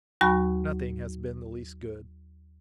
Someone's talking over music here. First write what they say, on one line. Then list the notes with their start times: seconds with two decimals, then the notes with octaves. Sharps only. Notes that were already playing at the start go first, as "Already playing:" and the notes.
Nothing has been the least good.
0.21 D#2 F#3 F#4 A5 B5 C#6